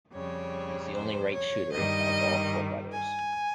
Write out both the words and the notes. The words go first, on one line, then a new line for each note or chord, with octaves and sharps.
He is the only right shooter of all four brothers.
F2 C#3 G3 C#5
C5
C#5
G2 D#3 G3 D#5
G#5